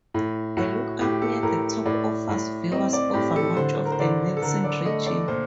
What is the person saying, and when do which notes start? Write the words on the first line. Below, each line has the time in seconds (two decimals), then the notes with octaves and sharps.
A lookout near the top offers views over much of the Nelson region.
0.14 A2
0.57 A2 F#4
1.01 A2 G4
1.22 A4
1.43 A2 A#4
1.86 A2 D5
2.29 A2
2.72 C4 D#5
2.93 D5
3.14 A2 G4
3.36 A4
3.56 D3 C5
3.86 A#4
3.92 C5
3.99 D3 D5
4.37 A4
4.42 D3 A#4
4.64 D5
4.85 A3 D#5
5.07 D5
5.28 A#2 C5